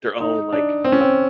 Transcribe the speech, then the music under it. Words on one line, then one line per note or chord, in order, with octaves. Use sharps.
their own, like,
D#4
D4
C4
C#4
C4